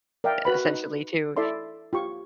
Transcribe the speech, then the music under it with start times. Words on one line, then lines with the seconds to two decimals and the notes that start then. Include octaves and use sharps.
essentially, to
0.24 A#4 D5 E5 F5 G5
0.45 F#4 B4 B5
0.65 D#4
1.37 E4 A4 D5 E5 C6
1.93 F4 G4 C#6